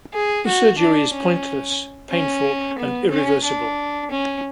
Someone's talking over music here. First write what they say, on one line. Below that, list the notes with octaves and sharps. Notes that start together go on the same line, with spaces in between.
The surgery is pointless, painful and irreversible.
G#4
F#4
D4
C#4
C#4
B3
C#4
D4
C#4